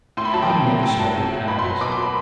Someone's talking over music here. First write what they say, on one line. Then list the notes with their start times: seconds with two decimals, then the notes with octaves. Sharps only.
"I never smoke at cards."
0.17 A2 C6
0.25 B5
0.33 F#3 A5
0.42 G5
0.49 A2
0.66 F#3
0.83 A2 G5
0.99 F#3 A5
1.16 A2
1.32 F#3
1.48 B2 B5
1.59 C6
1.64 F#3
1.69 C6
1.81 B2 D6
1.92 C6
1.98 F#3 B5